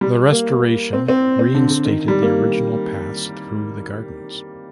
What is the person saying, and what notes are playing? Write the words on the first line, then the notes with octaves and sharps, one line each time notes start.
The restoration reinstated the original paths through the gardens.
G3
A#3
C4
C4
C4
D3
D3
D#3
G3
A#3